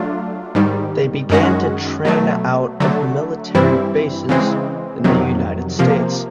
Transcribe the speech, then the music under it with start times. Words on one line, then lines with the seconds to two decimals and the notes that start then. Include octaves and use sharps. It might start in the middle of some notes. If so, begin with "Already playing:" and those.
They began to train out of military bases in the United States.
Already playing: F#3 A3 D4 F4
0.55 G#2 D#3 G3
1.30 F#2 D#3 G#3 C#4 F#4
2.05 B2 F#3 A3
2.80 D3 F#3 A3
3.55 G2 E3 G3 C4 E4
4.29 C#3 E3 G#3 C4
5.04 F2 C3 D#3 F#3
5.79 C3 F3 A#3